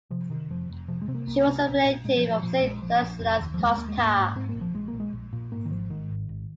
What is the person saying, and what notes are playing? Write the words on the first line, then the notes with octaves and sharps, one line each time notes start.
She was a relative of Saint Stanislas Kostka.
C3 F3
C3 D#3
F1 F3
F1
C3 F3
G#3
C3 C4
A#3
C2 A#3
C3
A#1
A#2
A#2 G#3
F3
A#2
F3
A#2 F3
A#1 G#3
A#1 F3
A#1
F1
D#2
F3
F1 G#3
D#2 A#3
G#3
G#2 A#3
G#2
G#2 C4
A#3
A#1
F3
A#1 G#3
A#3
A#1
G#3
A#1
A#2
G#2 A#3
D#3
G#1 F3
G#2 D#3
G#1
G#1